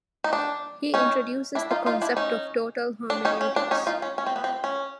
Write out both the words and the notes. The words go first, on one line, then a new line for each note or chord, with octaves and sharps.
He introduces the concept of 'total hermeneutics'.
D#4
D4
C#4 D#4
D4 E4
D#4 F4
D#4 F4
D4 E4
C#4 D#4
D4
C#4 D#4
C#4
D4
C#4 D#4
D#4 F4
C#4
C#4
C4
B3
C4
C#4